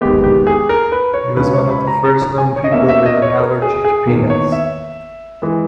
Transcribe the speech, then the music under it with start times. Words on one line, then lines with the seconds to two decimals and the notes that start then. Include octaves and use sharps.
He was one of the first known people with an allergy to peanuts.
0.01 D#2 D#3 G#3 B3 G4
0.24 G4
0.47 G#4
0.69 A#4
0.92 B4
1.14 C#5
1.37 C#2 C#3 G#3 C#4 B4
1.54 C#5
1.70 B5
1.87 A#5
2.05 A#5
2.38 G#5
2.56 C#5
2.64 D#5
2.72 E2 B2 A#3 C#4 E5
2.89 E5
3.06 D#5
3.22 C#5
3.39 A#4
3.62 G#4
3.85 G#4
4.07 E2 D#3 A#3
4.30 C#5
4.52 E5
5.42 E3 G#3